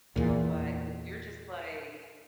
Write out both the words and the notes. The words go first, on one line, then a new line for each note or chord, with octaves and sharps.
But if you're just like,
E2 A#2